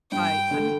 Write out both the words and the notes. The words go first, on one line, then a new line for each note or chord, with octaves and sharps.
Right. I mean
G2 G5
D3